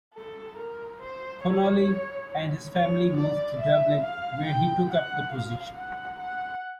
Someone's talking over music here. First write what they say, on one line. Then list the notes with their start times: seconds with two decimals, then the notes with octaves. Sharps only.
Connolly and his family moved to Dublin, where he took up the position.
0.14 A4
0.57 A#4
1.00 C5
1.43 C#5
2.74 C#5
3.16 D5
3.60 E5
4.03 F5
4.46 G5
4.90 F#5
5.32 F5
5.76 F#5
6.19 F#5